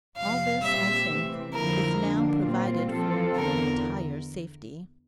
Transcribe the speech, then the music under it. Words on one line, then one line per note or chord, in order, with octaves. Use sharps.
All this, I think, is now provided for with entire safety.
F2 C3 F3 F5
A#2 G3 C4 G4 E5
C3 E3 A3 C4
F2 D3 F3 A#3 E4 A#4
D3 F3 A#3 D4
A#2 G3 C4 F4
F3 C4 F4 A4
E2 D3 A#4